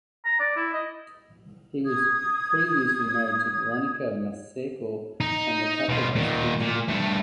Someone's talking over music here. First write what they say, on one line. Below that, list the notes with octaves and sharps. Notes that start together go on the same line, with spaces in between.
He was previously married to Veronica Maseko and the couple has two children.
A#5
D5
E4
D#5
D#6 G#6
D#4
B2 F4
A#2 D#3
A#2
G2 A3